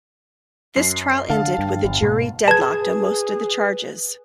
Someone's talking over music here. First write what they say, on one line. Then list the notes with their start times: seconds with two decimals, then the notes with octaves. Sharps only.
This trial ended with a jury deadlocked on most of the charges.
0.76 F#2 C7
1.30 D3 F5 A5
1.58 G2
1.84 G1
2.02 G#2 B2 A#3
2.48 G#4 B4 A5 G#6